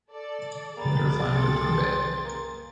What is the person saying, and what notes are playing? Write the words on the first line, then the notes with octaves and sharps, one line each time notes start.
Let her flounder for a bit.
A4 D5
C2 F#2 A#3 G#4 G5 B5 A6
A4 C6
A#3